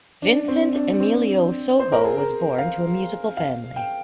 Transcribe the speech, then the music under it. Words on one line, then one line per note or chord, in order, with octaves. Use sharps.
Vicente Emilio Sojo was born to a musical family.
D4
C4
D4
C4
C5
A#4
G#4
A#4
F5
F5
G5